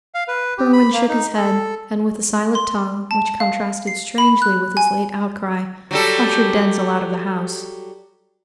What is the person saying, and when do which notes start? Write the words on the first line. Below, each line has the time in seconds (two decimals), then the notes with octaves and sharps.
Berwin shook his head, and with a silent tongue, which contrasted strangely with his late outcry, ushered Denzil out of the house.
0.14 F5
0.28 B4
0.58 G4
0.73 B5
0.93 A#3
1.09 D#4
1.37 A4
2.55 C6
3.11 A5
3.40 F5
3.87 C7
4.18 B5
4.42 F#6
4.77 G#5
5.91 F#3 G3 A4